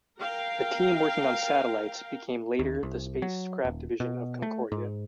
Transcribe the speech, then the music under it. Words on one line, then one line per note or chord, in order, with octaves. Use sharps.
The team working on satellites became later the Spacecraft division of Space Concordia.
A#4 F5 G5
D#2
C2
F#3
D#1
B2
A3
G#2